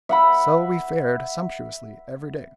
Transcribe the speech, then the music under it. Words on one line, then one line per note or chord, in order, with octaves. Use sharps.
So we fared sumptuously every day.
E5 F#5 B5